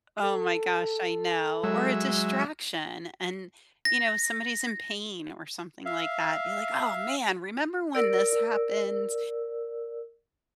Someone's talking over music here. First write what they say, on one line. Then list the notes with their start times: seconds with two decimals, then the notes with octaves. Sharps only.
Oh my gosh, I know. Or a distraction. And, you know, somebody's in pain or something like that, be like, "Oh, man. Remember when this happens?"
0.24 A4
1.64 F#3 G#3 E5
3.85 A#6
5.86 E5 F5
7.93 A#4 D5 E6